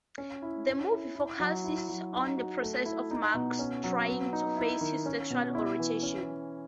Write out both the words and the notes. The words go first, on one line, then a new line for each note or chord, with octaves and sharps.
The movie focuses on the process of Mark's trying to face his sexual orientation.
C#4
E4
C#4
E4
E4
F#3
E4
F#3
D#4
F#4
A3
E4
D#4
B2
C#4
F#3
B3
D#4
E4
D#3
C#4
B2
E4
E3
C#4